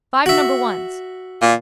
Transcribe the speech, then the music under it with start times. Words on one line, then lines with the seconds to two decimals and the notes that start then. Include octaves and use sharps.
Five number ones.
0.26 F#4 E5
1.41 A#2